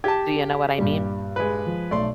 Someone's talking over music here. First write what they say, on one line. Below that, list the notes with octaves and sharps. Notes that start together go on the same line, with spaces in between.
Do you know what I mean?
G4 A5 G#6
G2 A#2 G3
G#3 B4
F3
B1 A3 D5 C6